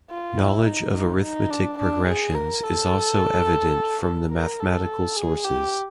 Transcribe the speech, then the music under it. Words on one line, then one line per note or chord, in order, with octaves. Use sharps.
Knowledge of arithmetic progressions is also evident from the mathematical sources.
F4
E4
D#4
D#4
D#4
D4
D4
G#4
A#4
A4
A4
A#4
A4
G#4
G4